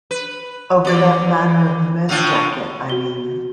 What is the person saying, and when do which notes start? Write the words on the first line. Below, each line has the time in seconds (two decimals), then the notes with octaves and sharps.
Over that matter of the mess jacket, I mean.
0.11 B4
0.85 E2 D5
2.09 A2 D3 F4
2.89 F#4 G7